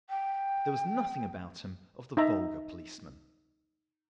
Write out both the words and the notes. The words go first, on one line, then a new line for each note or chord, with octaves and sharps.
There was nothing about him of the vulgar policeman.
G5
D#4 E5 A#5